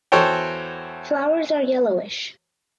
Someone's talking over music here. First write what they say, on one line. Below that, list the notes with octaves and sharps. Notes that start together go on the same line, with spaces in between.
Flowers are yellowish.
E2 F#4 A4 C5 C#5 G5